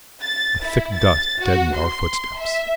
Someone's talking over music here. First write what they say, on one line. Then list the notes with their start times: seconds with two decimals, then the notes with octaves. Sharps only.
The thick dust deadened our footsteps.
0.22 A6
0.63 E4
0.95 A6
1.41 F#4
1.76 C6
2.39 E5